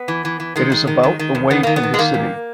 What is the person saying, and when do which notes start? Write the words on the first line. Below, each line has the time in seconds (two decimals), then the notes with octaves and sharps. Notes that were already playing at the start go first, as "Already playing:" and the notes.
It is about away from the city.
Already playing: B3
0.08 E3
0.25 E3
0.40 E3
0.56 D#3 G#3
0.72 D#3
0.87 D#3
1.03 D#3
1.19 D#3
1.35 E2
1.50 D#3 B3
1.63 D#3 A#3
1.76 B3
1.83 D#3
1.94 G#3
1.99 D#3 A#3
2.14 E2